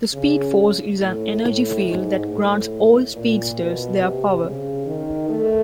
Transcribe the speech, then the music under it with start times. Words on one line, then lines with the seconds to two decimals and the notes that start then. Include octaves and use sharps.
The Speed Force is an energy field that grants all speedsters their power.
0.13 C#3
0.98 A2
1.42 A2
1.85 G#2
2.28 A2
3.13 A#2
3.57 B2
4.00 C3
4.42 C#3
4.86 D#3
5.29 A3